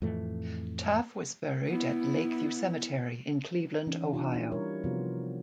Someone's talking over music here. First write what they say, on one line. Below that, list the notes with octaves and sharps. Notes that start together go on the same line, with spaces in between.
Taft was buried at Lake View Cemetery in Cleveland, Ohio.
F2 A2 E3 A3
B3 E4
E3 C#4 D#4
D4 D#4 F4 G4
E4
G3 A#4 C#5
C3 F3 B3 F4 F#4